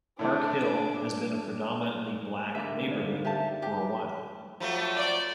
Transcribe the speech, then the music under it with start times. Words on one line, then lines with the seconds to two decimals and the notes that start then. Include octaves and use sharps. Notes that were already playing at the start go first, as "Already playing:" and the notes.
Park Hill has been a predominantly black neighborhood for a while.
0.19 A2 A3 D4 D6
2.55 D3 G3 A#3 G4 G#4 E5 D6
2.77 A#4
2.89 D#4 C5 D5
3.25 G4 E5 A5
3.62 G4
4.60 F3 F#3 A3
4.98 D5